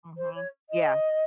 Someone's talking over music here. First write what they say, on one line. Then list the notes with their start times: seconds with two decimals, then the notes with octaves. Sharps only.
Mhm, yeah.
0.17 C5
0.35 C#5
0.69 D#5